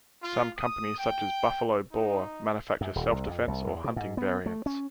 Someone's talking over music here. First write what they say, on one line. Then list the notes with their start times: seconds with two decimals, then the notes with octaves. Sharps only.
Some companies such as Buffalo Bore manufacture self-defense or hunting variants.
0.21 F4
0.57 D#6
0.98 G5
1.92 D#4
2.81 F#2
2.96 D#1
3.11 C2
3.28 F2
3.48 C2
3.66 E2
3.84 B2
3.96 G#2
4.17 B3
4.46 A3
4.66 C#4